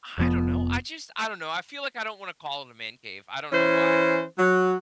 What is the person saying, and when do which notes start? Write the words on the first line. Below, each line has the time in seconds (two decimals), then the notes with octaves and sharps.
I don't know. I, just, I don't know. I feel, like, I don't wanna call it a "man cave." I don't know why.
0.18 F1 F2 F3 B3
3.52 E3 C#4 C5
4.38 F#3